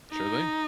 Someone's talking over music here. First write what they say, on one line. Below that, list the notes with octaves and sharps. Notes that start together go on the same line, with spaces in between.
Sure thing.
D#4